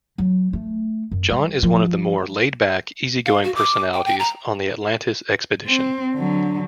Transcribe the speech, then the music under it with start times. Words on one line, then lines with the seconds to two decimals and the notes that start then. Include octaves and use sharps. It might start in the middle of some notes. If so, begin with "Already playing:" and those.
John is one of the more laid-back, easy-going personalities on the Atlantis Expedition.
0.18 F#3
0.53 A3
1.11 F#2
1.30 G3
1.63 F3
3.26 F5
3.44 F#4
3.56 D6
3.94 G5
4.05 G5
4.19 A#5
5.67 C4
6.15 D3 F#3